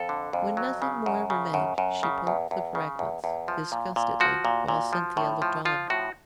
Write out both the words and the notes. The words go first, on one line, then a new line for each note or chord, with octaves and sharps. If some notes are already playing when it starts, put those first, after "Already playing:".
When nothing more remained, she poked the fragments disgustedly, while Cynthia looked on.
Already playing: F2 A4
D3
F2
F#3
C#3
F#2
C#3
F#2
F#2
C#3
E2
E2
C#3
E2
E2
F3
A#2
A#2
F3 F#4
A#2
A#2
F3
A2
F3
F3 F4
A2 F#4